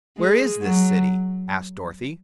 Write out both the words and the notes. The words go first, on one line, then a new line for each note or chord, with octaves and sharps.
"Where is this city?" asked Dorothy.
G#3
F#3